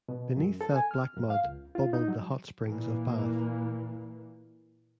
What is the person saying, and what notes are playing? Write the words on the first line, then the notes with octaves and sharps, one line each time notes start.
Beneath that black mud, bubbled the hot springs of Bath.
B2
F#2
A4
G#5
F6
F#2
F5
C#2
F4
D#4
F#3
A#2 E3 A#3